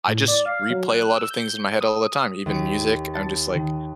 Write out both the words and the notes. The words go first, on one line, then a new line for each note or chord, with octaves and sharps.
I just replay a lot of things in my head all the time, even music, I'm just, like,
A2
D5
F5
F#3
F#6
E6
G6
D#6
D#2
A5
D#3